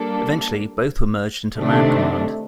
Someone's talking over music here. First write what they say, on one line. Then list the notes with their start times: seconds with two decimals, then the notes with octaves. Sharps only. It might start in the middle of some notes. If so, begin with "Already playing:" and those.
Eventually, both were merged into Land Command.
Already playing: G3 A#3 D4 A4
1.56 C3 D#3 A3 D4